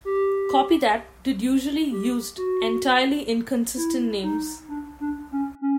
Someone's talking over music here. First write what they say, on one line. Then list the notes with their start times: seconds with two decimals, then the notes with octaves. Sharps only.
Copy that did usually used entirely inconsistent names.
0.05 G4
1.91 G4
2.37 F#4
3.77 E4
4.23 D#4
4.69 D4
5.00 D4
5.32 C#4
5.61 C#4